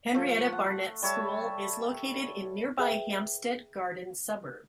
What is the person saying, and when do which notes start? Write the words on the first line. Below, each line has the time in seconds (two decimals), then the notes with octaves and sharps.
Henrietta Barnett School is located in nearby Hampstead Garden Suburb.
0.14 F3 A3
0.52 F#5
1.02 G3 C#5 E5 A5
2.79 G#4 B4 E5 G5